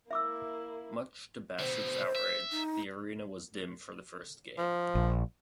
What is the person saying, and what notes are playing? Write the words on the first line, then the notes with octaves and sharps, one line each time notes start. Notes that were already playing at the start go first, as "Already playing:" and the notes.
Much to Bassett's outrage, the arena was dim for the first game.
A#3 E4 E5 D6 E6
B2 D3 C5
E5
D#4
F3
A#1